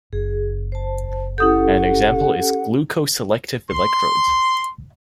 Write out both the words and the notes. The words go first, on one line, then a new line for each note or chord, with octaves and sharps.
An example is glucose selective electrodes.
F#1 G#4
C5 A5
C#4 E4 G4 A4 F#5 D#6 G6
C6